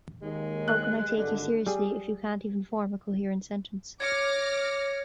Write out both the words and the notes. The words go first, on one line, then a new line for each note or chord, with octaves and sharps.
How can I take you seriously if you can't even form a coherent sentence?
D#2 D#3 G#3
F#6
G#1 G2 D3
G3 G#4
C#5 D6 F6 G#6 A#6 C#7